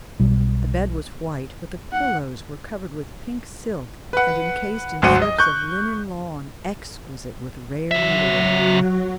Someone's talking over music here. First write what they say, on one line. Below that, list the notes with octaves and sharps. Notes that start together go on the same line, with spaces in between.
The bed was white, but the pillows were covered with pink silk and encased in slips of linen lawn, exquisite with rare needlework.
B1 B2 G3
F#5
B4 F#5
G#1 D2 F#3 C5 F#5 D#7
D#5
C#6 F#6 G6
C#3 F#3 F#4 E5